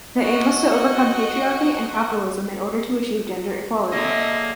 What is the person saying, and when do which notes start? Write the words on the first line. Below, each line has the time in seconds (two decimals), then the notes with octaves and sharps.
The aim was to overcome patriarchy and capitalism in order to achieve gender equality.
0.18 F#4 D#5
3.92 D3 F#3 G#3 A#3 D#5 E5